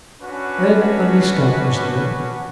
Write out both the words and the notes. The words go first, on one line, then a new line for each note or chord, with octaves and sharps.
And Undy Scott was there.
C#4 D4 F#4 B4